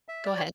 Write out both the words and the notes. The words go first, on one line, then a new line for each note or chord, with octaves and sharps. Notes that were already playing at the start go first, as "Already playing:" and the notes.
Go ahead.
E5
D5
C#5